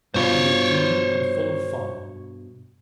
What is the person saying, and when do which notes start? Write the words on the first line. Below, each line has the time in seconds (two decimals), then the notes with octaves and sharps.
He was genial and full of fun.
0.14 G2 B2 F4 C5 C#5